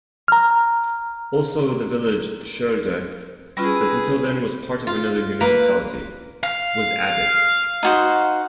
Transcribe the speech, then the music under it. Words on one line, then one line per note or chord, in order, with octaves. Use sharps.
Also the village Scheulder, that until then was part of another municipality, was added.
A#5 F6
G3 C#4 E4 F4 G#4 B4
F4
A#3 B4
F5
D#4 F#4 C5